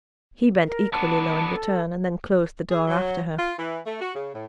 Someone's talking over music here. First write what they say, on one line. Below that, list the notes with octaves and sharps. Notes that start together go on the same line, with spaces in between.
He bent equally low in return, and then closed the door after her.
A#4
B3 D4 A5
A4
G#4
F#3
F4
E3
A3
F#4
C#3
A2